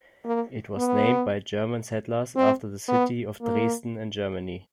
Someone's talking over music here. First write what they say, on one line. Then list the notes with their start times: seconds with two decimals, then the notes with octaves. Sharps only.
It was named by German settlers after the city of Dresden, in Germany.
0.25 A#3
0.77 B3
2.36 C4
2.88 B3
3.42 A#3